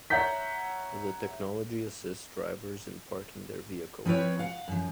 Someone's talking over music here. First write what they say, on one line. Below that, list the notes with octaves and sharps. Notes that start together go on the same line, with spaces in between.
The technology assists drivers in parking their vehicle.
C#5 E5 F#5 A#5 G6 B6
F3 C4 E4 B4 C#5
F5 F#5
F#2 F3